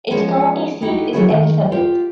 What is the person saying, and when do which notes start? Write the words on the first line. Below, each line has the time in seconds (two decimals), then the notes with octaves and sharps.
Its county seat is Elizabeth.
0.10 F3 G#3 B3 C#4
0.81 D#4 E4 F#4 G4
1.13 F#3 A3 A#3 C#4 E4 G#4
1.30 D#3
1.72 F4 G4